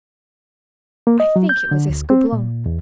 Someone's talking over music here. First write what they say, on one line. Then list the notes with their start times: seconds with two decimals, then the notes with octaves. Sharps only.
I think it was Escoublon.
1.07 A#3
1.20 D#5
1.36 F#3
1.49 G6
1.71 D3
1.90 D2
2.10 C4
2.33 A#2
2.66 E2